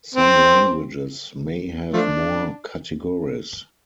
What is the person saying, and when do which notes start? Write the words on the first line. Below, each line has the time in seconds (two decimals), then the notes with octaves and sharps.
Some languages may have more categories.
0.14 C4
1.93 F3 A3 D4